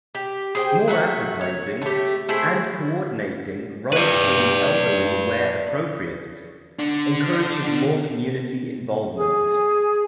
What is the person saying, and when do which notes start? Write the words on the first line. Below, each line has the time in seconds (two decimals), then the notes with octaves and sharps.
More advertising, and coordinating rides for the elderly where appropriate, encourages more community involvement.
0.15 G4
0.55 G#4 C5 G5
0.88 F#3 A3 F#4
1.41 C#5
1.82 A3 G4
2.29 A3 E4 G#4 C5
3.93 B4 D5
6.79 D3 D4
9.15 G#4